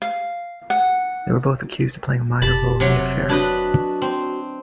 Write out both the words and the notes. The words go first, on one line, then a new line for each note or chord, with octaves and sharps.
They were both accused of playing a minor role in the affair.
F5
F#5
F1 G4 A5 B5
C3 F#3
D4 F#4 B4 D#5
C4